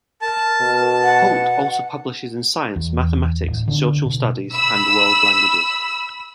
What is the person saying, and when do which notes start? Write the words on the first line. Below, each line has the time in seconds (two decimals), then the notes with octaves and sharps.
Holt also publishes in science, mathematics, social studies, and world languages.
0.21 A#4 A5
0.61 B2
1.03 F#5
2.76 E2
3.44 D1 G#1
3.67 D3 C#4 D4
4.06 B2
4.53 B5 E6